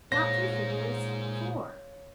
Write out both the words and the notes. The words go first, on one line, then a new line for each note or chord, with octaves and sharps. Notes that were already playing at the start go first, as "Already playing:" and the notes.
Not three figures, four!
A#2 G#3 C5 C#5 F5 C6 A#6